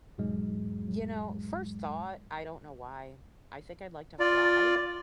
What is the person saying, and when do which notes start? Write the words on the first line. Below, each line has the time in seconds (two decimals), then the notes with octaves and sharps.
You know, first thought, I don't know why. I think I'd like to fly.
0.18 E2 G#2 B2 F#3 G#3
4.19 F4 D5